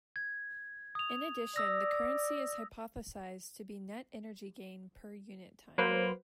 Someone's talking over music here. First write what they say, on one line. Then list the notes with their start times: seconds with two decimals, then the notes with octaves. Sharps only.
In addition, the currency is hypothesized to be net energy gain per unit time.
0.16 G#6
0.95 D#6 F7
1.56 D5 D#6 E6 A#6
5.78 F#3 A#3 B4 C5